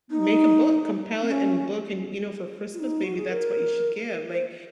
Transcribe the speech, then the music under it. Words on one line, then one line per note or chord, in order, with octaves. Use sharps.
Make a book, compile it and book, and, you know, for Christmas, maybe that's what you should give, like,
D#4
C4
C#4
F4
D#4
F#4
G#4
A#4
C5